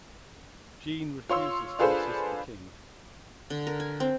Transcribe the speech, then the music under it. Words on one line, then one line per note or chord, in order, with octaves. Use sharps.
Jean refuses to assist the king.
F4 C#5 C6 E6
D4 F4 G#4 A4 B4 C5
D3
A#4
G#5
C4